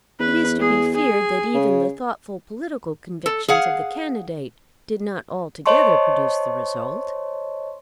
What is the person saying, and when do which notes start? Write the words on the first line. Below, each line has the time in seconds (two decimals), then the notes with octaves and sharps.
It is to be feared that even the thoughtful political convictions of the candidate did not altogether produce the result.
0.20 E2 B4
0.60 G#4
0.94 G#4 G#5
1.54 C#3
3.26 A4
3.48 G#4 F5 F#5
5.66 C5 C#5 D#5 A5 C6 C#6